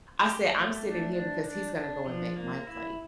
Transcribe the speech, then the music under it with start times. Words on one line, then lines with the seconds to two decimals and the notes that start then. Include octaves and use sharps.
I said, "I'm sitting here because he's gonna go and make my plate."
0.23 G4
0.52 A3
0.83 D4
1.13 D4
1.44 D4
1.75 D4
2.06 F3
2.36 A#3
2.67 E4